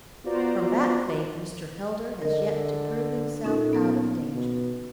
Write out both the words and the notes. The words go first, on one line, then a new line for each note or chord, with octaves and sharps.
From that fate Mr. Heldar has yet to prove himself out of danger.'
B3 F4 F#4 C5 D5 A#5
D3 A#4 D#5
A#2 C#4 D#4 A4
B3
B2